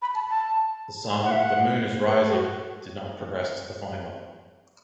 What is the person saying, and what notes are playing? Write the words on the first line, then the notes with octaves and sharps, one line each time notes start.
The song "The Moon is Rising" did not progress to the final.
B5
A5
A5
F#5
E5
F#5
B4
A4
F#4